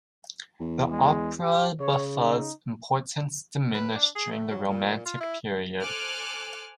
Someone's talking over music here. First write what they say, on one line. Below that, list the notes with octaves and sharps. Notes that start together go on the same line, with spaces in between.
The opera buffa's importance diminished during the Romantic Period.
E2
G#3
G4
C#3 C#5
D#4
B4
D4
G#4
A3
F#3
A#2
F4
E4
A4 C5 G#5 D6 F6 F#6